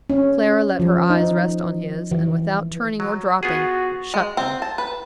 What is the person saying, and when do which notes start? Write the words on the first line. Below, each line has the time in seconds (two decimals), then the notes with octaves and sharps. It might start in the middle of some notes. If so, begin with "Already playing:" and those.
Clara let her eyes rest on his and, without turning or dropping, shut them.
0.10 C#4
0.80 F3
1.10 D#4
2.11 E3
3.00 F#3
3.43 B3 F4 F#4 G#4
4.14 G#3
4.37 C4
4.62 A5
4.78 B4